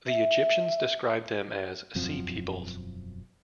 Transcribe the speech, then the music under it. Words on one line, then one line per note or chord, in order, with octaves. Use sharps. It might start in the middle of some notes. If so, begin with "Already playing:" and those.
The Egyptians described them as Sea Peoples.
E5
E1 F#2 F3 C4